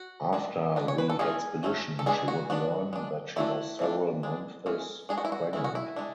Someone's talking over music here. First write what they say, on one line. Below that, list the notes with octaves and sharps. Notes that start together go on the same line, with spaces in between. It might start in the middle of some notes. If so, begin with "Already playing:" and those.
After the expedition she would learn that she was several months pregnant.
Already playing: F#4
G#3 D4
G#3 B3 D4
C#5
B4
A4
E3 G#3 C#4 G#4
F#3 A3 C#4
A4
G#3 B3 D4 G#4
F#4
G#3 B3 D4 F#4
G#3 D4
F#3 A3 D4 E4
E3 A3 D4
G#3 D4
E3 G#3 C#4
G#3 D4 G#4
F#4
E4
F#4
E3 G#3 C#4 E4
F#4
E4
G#3 D4